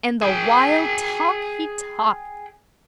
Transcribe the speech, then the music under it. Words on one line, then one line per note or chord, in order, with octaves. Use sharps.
And the wild talk he talked!
G#4 G5